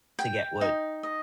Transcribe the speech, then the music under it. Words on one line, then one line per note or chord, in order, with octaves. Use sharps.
to get what
G5
D#4
D#5